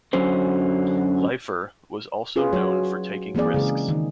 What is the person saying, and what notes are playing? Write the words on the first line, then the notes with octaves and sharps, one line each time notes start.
Leifer was also known for taking risks.
F#2 D3 F#3 C#4 C5
C#4 F4 G#4 B4
F#3 F#4 C#5
E3 A#3 C4 G#4 D5
C#3 G#3 G#4
D#3